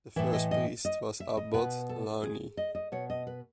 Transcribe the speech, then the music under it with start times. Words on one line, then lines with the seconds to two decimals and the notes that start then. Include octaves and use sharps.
The first priest was Abbot Launay.
0.16 A2 E3 E5
0.33 D#5
0.51 D#5
0.85 D#5
1.20 E5
1.37 D#5
1.54 B2 B4
1.89 A4
2.23 G#4
2.57 D#5
2.75 D#5
2.92 B2 C#5
3.10 D#5
3.27 B4